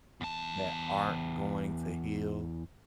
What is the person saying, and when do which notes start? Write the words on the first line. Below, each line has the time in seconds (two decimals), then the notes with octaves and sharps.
that aren't going to heal
0.21 E2 A5